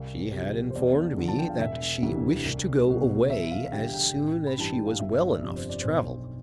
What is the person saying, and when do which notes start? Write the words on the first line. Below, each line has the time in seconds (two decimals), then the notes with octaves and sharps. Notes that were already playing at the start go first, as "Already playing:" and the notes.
She had informed me that she wished to go away as soon as she was well enough to travel.
Already playing: C2 F5
0.33 C3 F3
0.71 C5
0.75 E2 D5
1.18 D3 F3
1.28 A5
1.39 G5
1.49 F5
1.59 E1 E5
2.02 D2 C3 E3
2.45 C2
2.87 B2 G3
3.30 E2 E5
3.51 F5
3.72 D3 G3 G5
3.94 G5
4.15 A1
4.47 B5
4.57 G2 E3 G3 A5
4.73 G5
4.87 F5
5.00 G1 E5
5.28 D5
5.42 F2 C3 F3
5.56 C5
5.69 D5
5.82 B1 C5